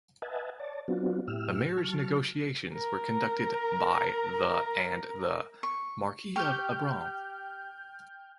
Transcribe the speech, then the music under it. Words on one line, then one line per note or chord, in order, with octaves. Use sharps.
The marriage negotiations were conducted by the and the Marquis of Abrantes.
B4 D#5 E5 F#5 G#5 A5
C#5 D5 A5
F#3 B3 C4 D4 F4 F#4
A2 E4 G4 E6 F6
F#3 A5 C#6 F6
A#4 A#5
C#6
G4 G5 C#6 F6 G6